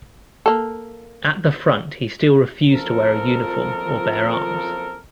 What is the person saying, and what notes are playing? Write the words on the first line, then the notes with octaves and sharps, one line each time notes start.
At the front he still refused to wear a uniform or bear arms.
A#3 A4
F#1 F2 F3 A4 A#4